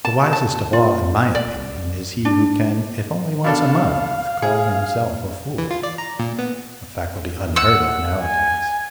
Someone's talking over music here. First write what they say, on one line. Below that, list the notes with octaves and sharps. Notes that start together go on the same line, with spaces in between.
The wisest of all, in my opinion, is he who can, if only once a month, call himself a fool--a faculty unheard of nowadays.
A5
A5
F4
D5
D4
B2 D4 A4 F5
G#4
E3
F4
D5
A#5
A#2
B3
F#5 E6
G#5